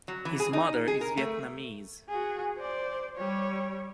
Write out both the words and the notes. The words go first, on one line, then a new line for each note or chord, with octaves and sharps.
His mother is Vietnamese.
F#3
E3
G#4
D#4
G#4
A#4
A3
F#4 G#4
C5 D5
G3 C#5